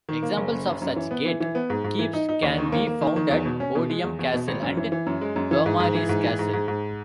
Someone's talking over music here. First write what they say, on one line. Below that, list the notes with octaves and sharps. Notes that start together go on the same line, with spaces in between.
Examples of such gate keeps can be found at Bodiam Castle and Beaumaris Castle.
D#3
A#3
F#1
F#1
F#2
F#2
E3
B3
E3
E3
B3
G#2
G#2
E3
D#4
D#4
D#2
D#3
A#3
A#3
D#3
D#3
E2
B2
C#4
B2
G#3
E2
E2
B2
G#1
F#2
E3
E3
F#2
G#3
F#2
E3
G#2
G#2
E3
G#2
E3
G#2
G#2
G#2